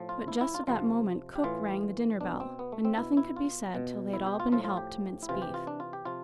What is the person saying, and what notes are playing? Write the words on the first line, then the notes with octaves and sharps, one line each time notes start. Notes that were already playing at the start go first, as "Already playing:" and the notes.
But just at that moment cook rang the dinner-bell, and nothing could be said till they had all been helped to minced beef.
Already playing: A2 F3
F4
E4
E4
F4
C3 F3 F4
G4
A2 E3 F4
B2 D4
C4
B3
A3
C4
B2 E4
E4
F4
B2
E4
G4
F4
A2 F3 F4
F4
G4
E4
C3 E3 F4
G4
F4
D4
F4
G4
C3 F3 F4